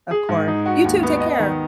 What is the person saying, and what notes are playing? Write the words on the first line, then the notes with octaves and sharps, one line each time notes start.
Of course. You too. Take care.
G#4
G#2
D#4
F#4
D#2
B3
D#5
D#3